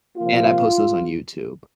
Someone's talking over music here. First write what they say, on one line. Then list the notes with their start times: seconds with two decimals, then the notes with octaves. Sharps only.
and I post those on YouTube,
0.17 C3 F3 A#3 F4